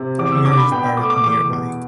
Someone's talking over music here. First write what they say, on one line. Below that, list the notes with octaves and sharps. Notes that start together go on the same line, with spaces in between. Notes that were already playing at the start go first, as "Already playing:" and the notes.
Heer is buried nearby.
Already playing: C3
E2 D6
E6
D3 D6
B5
B2 G5
B5
A3 D6
D6
E2 D6
B2